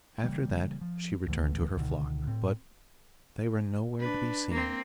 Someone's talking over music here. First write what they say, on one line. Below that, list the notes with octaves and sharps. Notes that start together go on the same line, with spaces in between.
After that she returned to her flock, but they were nowhere to be seen.
C#3 E3 G3 A#3
F3
D1 D2 E3 A3
C#2 B2 D3 D#3
A2 C4
D4 B4
A#3 C4